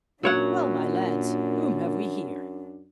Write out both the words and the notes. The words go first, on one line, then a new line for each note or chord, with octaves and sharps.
"Well, my lads, whom have we here?"
F#2 A#2 F#3 D4 C#5 F#5